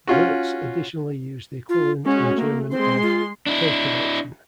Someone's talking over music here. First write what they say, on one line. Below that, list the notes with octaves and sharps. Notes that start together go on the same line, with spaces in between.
Wirtz additionally used the equivalent in German of "K correction".
C#4 F4 F#4
F4
G#3 C#4 F#4
A3 A#3
G#3 C4 C6
F4
D4 E4